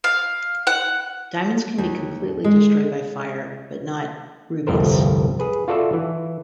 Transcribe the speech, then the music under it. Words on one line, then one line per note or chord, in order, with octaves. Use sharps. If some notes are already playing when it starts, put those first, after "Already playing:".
Diamonds can be completely destroyed by fire, but not rubies.
F5
F#5
D#2
G#3
G1 C2 F2 A2 A#4 C5
G#4 B4
F4 F#4 A4 D5 E5
E3